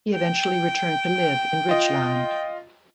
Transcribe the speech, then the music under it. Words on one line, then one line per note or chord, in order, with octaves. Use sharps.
He eventually returned to live in Ridgeland.
G5
F4 D#5